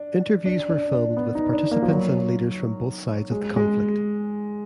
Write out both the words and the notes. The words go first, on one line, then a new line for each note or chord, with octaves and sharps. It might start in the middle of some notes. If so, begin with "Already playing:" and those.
Interviews were filmed with participants and leaders from both sides of the conflict.
Already playing: D4
D4
D4
D4
B3
D#4
D4
A#3
F3
F#3
G#3
G#3